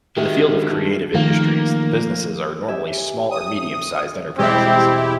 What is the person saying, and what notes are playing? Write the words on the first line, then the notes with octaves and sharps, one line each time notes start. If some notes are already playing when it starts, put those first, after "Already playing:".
In the field of creative industries, the businesses are normally small or medium-sized enterprises.
D#3 G#3 F#4 G4 E5
D#3 F3 A3 A#3 F5
G4 E5 G#5
D#6
E1 G#3 C4 E4 G4 G#4